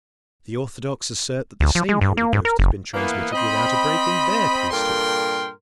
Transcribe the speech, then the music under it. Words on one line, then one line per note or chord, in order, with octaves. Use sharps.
The Orthodox assert that the same Holy Ghost has been transmitted without a break in their priesthood.
D2
F3
G#3
G2
A#3
G#2
A#4
F#1
E3 A#3 B3
C4 D#5 B5
G2 A#2 A4 A#4 G5 C6